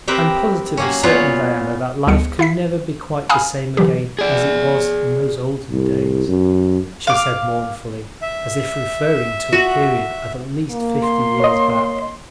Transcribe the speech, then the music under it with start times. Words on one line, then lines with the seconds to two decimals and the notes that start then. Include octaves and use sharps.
"I'm positively certain, Diana, that life can never be quite the same again as it was in those olden days," she said mournfully, as if referring to a period of at least fifty years back.
0.08 C4 G4 A#4 B4 E5
0.77 F#3 A#3 C#4
1.03 A#2 F#3 B3 F4 C#5
2.07 D2 G3 B3 G#4 C#7
2.39 E4 E5 B6
3.30 F5 G#5 A#5 B5 D#6 F6
3.77 D3 E3 F#3 G4
4.19 G#4 D5
5.71 C2
6.28 F#2
7.07 F5 D6
8.22 E5
9.53 F#4
10.71 A#3
11.02 C6
11.40 C#5 D#5